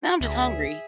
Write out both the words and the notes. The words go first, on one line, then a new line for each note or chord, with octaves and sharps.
Now I'm just hungry.
D2 G#4 E5